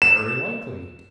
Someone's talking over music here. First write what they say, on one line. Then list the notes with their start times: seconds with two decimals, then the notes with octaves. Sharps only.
"Very likely."
0.02 E7